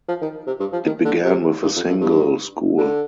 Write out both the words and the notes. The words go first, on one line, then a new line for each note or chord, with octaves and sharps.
It began with a single school.
F3
D#3
C3
G2
F3
D#3
D3
C3
G2
F2
F2
G2
D3